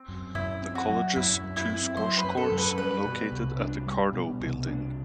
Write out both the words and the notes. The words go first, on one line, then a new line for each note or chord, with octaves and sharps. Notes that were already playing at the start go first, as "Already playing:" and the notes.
The college's two squash courts, located at the Cardo Building.
Already playing: C4
F#2
F#2 E4
C4
F#4
F#3
F#2 E4
F#2
E4
C4
F#3 C5
B4
F#2
A4
F#2
B4
G3 B4
B2
C2
D4
G3
B2
C2
D4